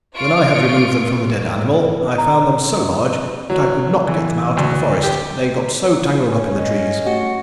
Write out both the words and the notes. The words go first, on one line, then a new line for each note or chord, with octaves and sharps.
When I had removed them from the dead animal, I found them so large that I could not get them out of the forest, they got so tangled up in the trees.
F4 C#6 D7
A#5
F#3
E3
D2
G4
C#4
D#5
A3 F#4 G4